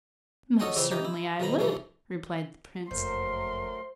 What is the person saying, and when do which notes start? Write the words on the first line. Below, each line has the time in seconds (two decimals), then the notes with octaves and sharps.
'Most certainly I would,' replied the Prince.
0.60 F#4 A4 C#5 D#5 F#5 C6
0.76 C#3 E3 F3 C4 E5 C6
0.91 E3 D#4 G4
1.05 E4
1.40 B1 B2 D#3 F3 A#5 B5
1.59 C2 F2 E3 A3 F5
2.91 F#1 F2 F#3 A3 A#4 C5 C6